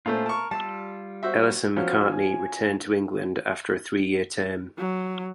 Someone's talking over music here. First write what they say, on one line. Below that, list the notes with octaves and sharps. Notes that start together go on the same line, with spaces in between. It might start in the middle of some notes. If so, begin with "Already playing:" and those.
Ellison-Macartney returned to England after a three-year term.
A#2 A3 C#4 D4 F4 C5
A#4 A5 C#6
G3 F4 A5 E6
F#4 C5 E5
F3 F#3 B3 C#4 C5 F6
G#5
F#3